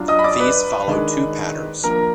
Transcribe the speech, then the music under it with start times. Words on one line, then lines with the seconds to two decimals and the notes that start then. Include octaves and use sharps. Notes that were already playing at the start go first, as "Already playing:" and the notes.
These follow two patterns.
Already playing: F#3 D4 F4
0.08 D#5 D#6
0.19 B5
0.24 D5 D6
0.40 B4 B5
0.88 D#3 G#3 D4
1.84 F3 A#3 D4 A#4 A#5